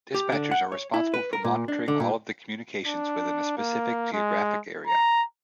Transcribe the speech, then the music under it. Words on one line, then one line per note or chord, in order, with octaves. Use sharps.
Dispatchers are responsible for monitoring all of the communications within a specific geographic area.
G4
D3
F#5
C#5
E4
B4
A#4
A#2
D4
D3
A#2
D4
A#3
G#3
A#5